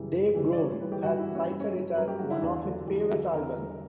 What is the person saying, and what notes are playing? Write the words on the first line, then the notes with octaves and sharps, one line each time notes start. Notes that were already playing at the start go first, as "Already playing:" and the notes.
Dave Grohl has cited it as one of his favorite albums.
Already playing: F#2 C#3 E3 G3
F#2
C#3 E3 G3
D5
G2 C#5
E3 G3 B4
G4
G2 F#4
E4
E3 G3
C#4
G2
C#4
F#3
G2 A#4
G4
F#3 F#4
E4
E2 D4
D3 F#3
E2
D3 F#3
E2 A#4
D3 G3